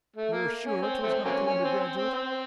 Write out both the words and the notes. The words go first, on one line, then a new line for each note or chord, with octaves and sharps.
"You are sure 'twas not the undergraduate?"
A3
A#3
C#4
C4
A3 C4
F#3 A#3 C#4
C#4
C4
C4
C4
C4